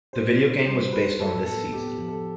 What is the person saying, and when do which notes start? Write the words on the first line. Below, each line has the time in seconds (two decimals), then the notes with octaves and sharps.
The video game was based on this season.
0.13 G4 C5
0.39 D4
0.66 G3 C5
0.93 G4 B4
1.19 A2 A4
1.45 B3 A4
1.73 B3 G4
1.99 F3
2.08 A4